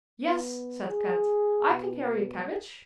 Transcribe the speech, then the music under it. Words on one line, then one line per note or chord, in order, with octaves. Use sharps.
"Yes," said Kat, "I can carry a cabbage."
B3
G#4
B2